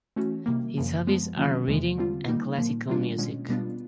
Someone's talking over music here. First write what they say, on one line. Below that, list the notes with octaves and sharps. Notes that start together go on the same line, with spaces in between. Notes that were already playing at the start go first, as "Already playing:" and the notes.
His hobbies are reading and classical music.
E3 A3 C#4 F#4
C3 D#3 G3 A#3
F#2 C#3 F3
F3 G#3 B3
D#3 F#3 A#3 C#4 F4
E2 C3 E3 G#3
D3 G3 C4 F4
D#3 G3 A#3 D#4
A#2 F3 A#3
D#3 G3 A#3 D4 F4
B2 G#3 C#4
B2 G3 B3 D4 F4